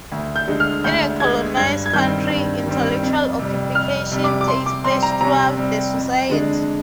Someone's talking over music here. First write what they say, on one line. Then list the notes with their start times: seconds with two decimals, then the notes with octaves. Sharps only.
In a colonised country intellectual occupation takes place throughout society.
0.12 D2
0.36 G6
0.48 D3 G#3
0.60 F6
0.84 D2 G6
1.20 D3 G#3 G#6
1.57 G2 G#6
1.86 G#6
1.93 D#3 G3 C4 G6
2.30 G2
2.66 D#3 G3 C4
3.03 F2
3.39 C3 G3
3.75 F2 F6
4.12 C3 G3
4.24 D6
4.41 D6
4.48 C3 C6
4.66 D6
4.84 G3 C4 C6
5.03 A#5
5.21 C3 A#5
5.57 G3 C4
5.94 F2
6.30 D3 G#3 D4